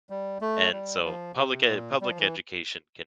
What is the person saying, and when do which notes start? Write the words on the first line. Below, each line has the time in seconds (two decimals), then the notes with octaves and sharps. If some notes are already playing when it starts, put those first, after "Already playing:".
and so public ed public education can
0.10 G3
0.41 A3
0.72 G3
1.04 F3
1.35 C3
1.66 A#2
2.01 G3
2.10 F3
2.19 E3